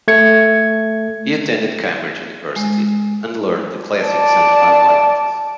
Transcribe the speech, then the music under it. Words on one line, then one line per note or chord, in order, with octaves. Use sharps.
He attended Cambridge University and learned the classics and five languages.
A3 G#6 C#7
G#3
D5 A5